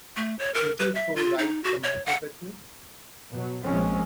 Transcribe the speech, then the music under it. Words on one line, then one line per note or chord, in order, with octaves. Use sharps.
Would you throw ripe tomatoes at me?
A3
C#5
A#4
B4
E5
F4
D#4
F#4
C#5
F#5
B2 F#3
A#1 F3 G#3 C4 C#4